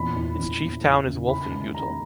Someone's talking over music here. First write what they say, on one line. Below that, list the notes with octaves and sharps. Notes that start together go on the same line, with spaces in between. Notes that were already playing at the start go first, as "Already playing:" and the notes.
Its chief-town is Wolfenbüttel.
Already playing: E2 A#2 B5
E2
E2
E2
E3
C#3
D#3 B5
G#2 B5
D#3 A#5